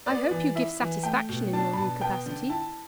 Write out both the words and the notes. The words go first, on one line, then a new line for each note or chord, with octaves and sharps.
'I hope you give satisfaction in your new capacity.
B3 D5
E3
E4 E5
E3
A3 G5
B2
D4 A5
B5
B2 A5
B3 G5
D3
E4 A5